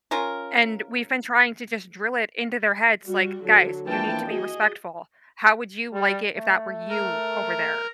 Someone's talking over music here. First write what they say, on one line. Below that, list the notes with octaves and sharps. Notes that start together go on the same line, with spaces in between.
And we've been trying to just drill it into their heads, like, "Guys, you need to be respectful. How would you like it if that were you over there?"
C#4 F4 A#4
G3 F#4
D3 F#3
E3 F3 A#3 D4 G5 A5
F#4 G#4 D#5
G3
A3
A#4